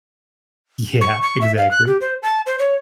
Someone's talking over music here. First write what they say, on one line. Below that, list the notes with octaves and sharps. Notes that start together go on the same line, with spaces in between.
Yeah. Exactly.
C#6
C#6
E5
F5
F#6
G4
C5
A5
C5
C#5